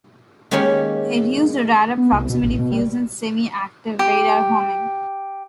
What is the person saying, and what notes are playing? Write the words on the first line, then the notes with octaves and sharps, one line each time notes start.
It used a radar proximity fuze and semi-active radar homing.
D#3 G#3 A#3 C#4 G4 C#5
B3
C2
B2
A1
B2
G3
G4